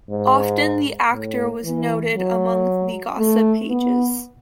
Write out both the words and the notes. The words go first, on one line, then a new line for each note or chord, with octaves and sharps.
Often the actor was noted among the gossip pages.
G#2
A2
E3
F#3
A3
B3